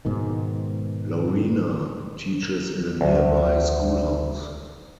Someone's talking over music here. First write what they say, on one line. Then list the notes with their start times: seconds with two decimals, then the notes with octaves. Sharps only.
Lorena teaches in a nearby schoolhouse.
0.05 G#2 B2 D#3
2.43 A#5
3.01 D2